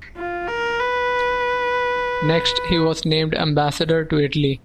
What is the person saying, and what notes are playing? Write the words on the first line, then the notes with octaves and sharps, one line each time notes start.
Next, he was named ambassador to Italy.
F4
A#4
B4